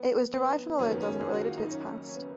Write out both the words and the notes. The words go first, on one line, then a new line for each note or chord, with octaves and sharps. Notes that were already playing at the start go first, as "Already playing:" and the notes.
It was derived from the locals and is related to its past.
Already playing: F2 B3
B3
F#1 F#2 D#3 F#3 A#3 C#4
B3
C#4
G#4
F#4
F4
D#4
C#4
C#4
B3